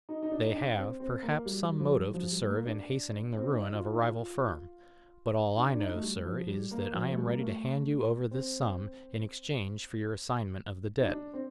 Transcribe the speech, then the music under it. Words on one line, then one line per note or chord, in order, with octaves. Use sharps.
They have, perhaps, some motive to serve in hastening the ruin of a rival firm. But all I know, sir, is, that I am ready to hand you over this sum in exchange for your assignment of the debt.
D#4
D#4
D4
D#4
D4
C4
C4
A#3
G3
G3
F3
G3
F3
G3
A3
A#3
D4
C4
D4
D#4
F4
D#4
F4
D4
D4
D#4
A3
G3
F3
G3
A#3
F3
A3
G3
A#3
A3
C4
D#4
D4
C4